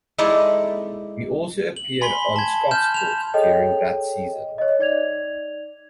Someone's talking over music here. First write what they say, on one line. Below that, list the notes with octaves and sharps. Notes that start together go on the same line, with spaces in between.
He also appeared on "Scotsport" during that season.
G#3 D#4 E4 A4 D5 D#5
F#7
G#5 B5 C6 B6 G7
A5 G#6
F6 G6 E7
E7 F7
G#4 A4 C#5 D#5 G5
C#5 D#5
D#4 D5 G#6 F7